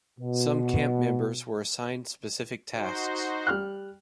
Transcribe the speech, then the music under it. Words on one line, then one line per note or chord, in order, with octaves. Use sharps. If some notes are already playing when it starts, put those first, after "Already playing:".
Some camp members were assigned specific tasks.
B2
D#4 F#4 C5
G3 F6 F#6